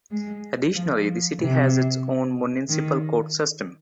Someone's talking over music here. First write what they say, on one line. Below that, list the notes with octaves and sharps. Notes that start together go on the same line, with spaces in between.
Additionally, the city has its own municipal court system.
G#3
F3
F3
C3
D#3